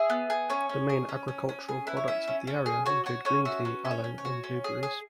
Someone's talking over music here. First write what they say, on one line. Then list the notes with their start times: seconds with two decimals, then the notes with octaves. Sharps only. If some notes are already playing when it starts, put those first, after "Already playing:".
The main agricultural products of the area include green tea, aloe and blueberries.
Already playing: G#4 E5
0.10 B3
0.30 G#4
0.50 C#4 C#5
0.69 C#4
0.90 G#4
1.09 C#4
1.28 C#4
1.49 C#4
1.68 G#4
1.87 E4 B4
1.97 C#5
2.08 C#4 E5
2.28 C#4
2.47 C#4
2.66 G#4
2.86 F#4 C#5
3.06 F#4 C#5
3.25 C#4 C#5
3.45 F#4 E5
3.65 C#4 B4
3.85 C#4 E5
3.91 C#5
4.04 C#4
4.18 C#5
4.25 F#4
4.44 C#4
4.64 G#4
4.83 G#4